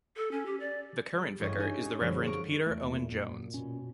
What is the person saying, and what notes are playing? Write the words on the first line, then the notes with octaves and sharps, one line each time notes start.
The current vicar is the Reverend Peter Owen-Jones.
A4
C#4
G4
D5
G3
A1 G2 G3 D#5 C#6 G#6
D#4 A4 B4 C#5 D#5 G#5
C4 C#4
F#2 D3 F3 G3 G#3
D4 A#4 C#6 D7
E2 A3
A#2
F#2
B2 C#4